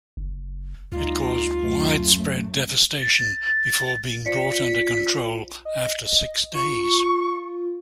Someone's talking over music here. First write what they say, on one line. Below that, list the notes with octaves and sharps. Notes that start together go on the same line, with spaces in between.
It caused widespread devastation, before being brought under control after six days.
F#1
D2 G3 D#4 F4
F#2 A3
A6
F3 D5 B6 C#7
D#5
F4 C#6